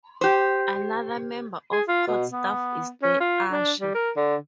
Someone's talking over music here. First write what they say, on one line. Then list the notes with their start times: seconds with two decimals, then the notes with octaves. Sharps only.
Another member of court staff is the usher.
0.21 G4 C5
1.72 G#4
1.88 F4
2.07 B2
2.32 B3
3.02 C#4
3.20 F4
3.51 D4
3.79 G3
3.94 A#4
4.16 D3